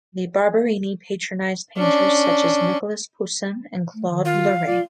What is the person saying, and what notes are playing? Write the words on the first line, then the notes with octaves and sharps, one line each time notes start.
The Barberini patronised painters such as Nicolas Poussin and Claude Lorrain.
C#4 D4
A3
D#3
F4 F5
F4 D5